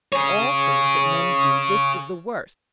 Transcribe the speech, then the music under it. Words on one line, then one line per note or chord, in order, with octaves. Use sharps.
Of all things that men do this is the worst.
G#4 C#5